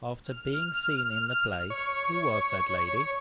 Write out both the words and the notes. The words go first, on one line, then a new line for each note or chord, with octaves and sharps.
After being seen in the play Who Was That Lady?
F6
C#5